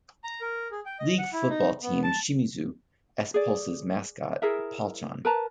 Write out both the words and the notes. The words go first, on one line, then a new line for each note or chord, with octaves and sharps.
League football team Shimizu S-Pulse's mascot, Palchan.
A#5
A#4
G#4
G5
D#5
F#5
E4
D#4
B3
A5
G#4 D5
E4 G#4 A#4 E5
A#4 B4 A5 A#5